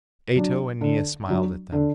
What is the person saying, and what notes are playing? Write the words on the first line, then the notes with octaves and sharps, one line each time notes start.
Ato and Nea smiled at them.
F#3 D4
D3
F#3 D4
D3